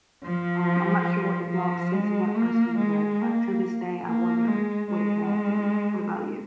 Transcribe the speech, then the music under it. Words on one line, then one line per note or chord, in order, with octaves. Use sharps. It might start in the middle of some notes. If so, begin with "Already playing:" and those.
um, I'm not sure what the dog sense in that person, but, uh, till this day, I wonder what it could have been. What about you?
F3
F3
G#3
A#3
G#3
A#3
A#3
G#3
G#3